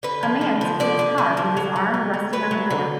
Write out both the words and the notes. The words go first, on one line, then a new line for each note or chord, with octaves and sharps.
A man sits in his car, with his arm resting on the door.
D3 B4
F3
D3
F3
D3 D5
D3
D3
F3
F#3
F#3
D3
F#3
F#3 B4
F#3
D3